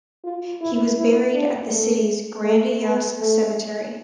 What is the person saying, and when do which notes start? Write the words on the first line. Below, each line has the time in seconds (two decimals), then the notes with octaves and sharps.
He was buried at the city's Grand Jas Cemetery.
0.24 F4
0.61 E4
0.98 E4
1.34 D4
1.71 A3
2.44 A3
2.80 B3
3.17 A3